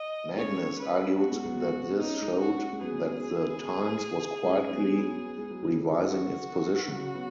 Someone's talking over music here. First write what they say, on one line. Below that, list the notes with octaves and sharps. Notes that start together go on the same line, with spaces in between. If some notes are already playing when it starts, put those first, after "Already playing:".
Magness argued that this showed that the "Times" was quietly revising its position.
Already playing: D#5
G#3 C#4 C#5
B4
B3 F#4
G#3
F#3 B3
F#4
C#4 D#4
G#3 C#4
F#4
G#3
F#3 B3 G#4
G#3 C#4
F#3 B3
F#3 B3
B3
G#3
F#3
D#3 G#3
F#4
C#3 F#3
F#3 B3